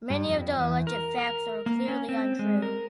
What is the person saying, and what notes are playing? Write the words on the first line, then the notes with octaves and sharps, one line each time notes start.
Many of the alleged facts are clearly untrue.
G2
F2
E2
A#4
A#4
A#3
C#4
C4
G#3
A#4